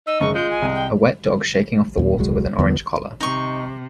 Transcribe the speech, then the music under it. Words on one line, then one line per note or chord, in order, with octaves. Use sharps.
A wet dog shaking off the water with an orange collar.
D#4 E6
F#1 G#2 D#3 C#6
G#3 F4 G6
G#5
C2
G5
D#2 A#2
D#1 C2 F#3 G#3
E2 D3 F3 B3
C3 D#4 C#6